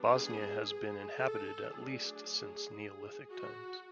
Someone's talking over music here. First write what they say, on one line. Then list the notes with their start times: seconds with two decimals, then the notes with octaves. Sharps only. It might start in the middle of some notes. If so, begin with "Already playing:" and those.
Bosnia has been inhabited at least since Neolithic times.
Already playing: G3 B3 D4
0.11 G#4
0.64 G#4
1.17 A4
1.71 F#3 A3 D4 G#4
3.30 F#4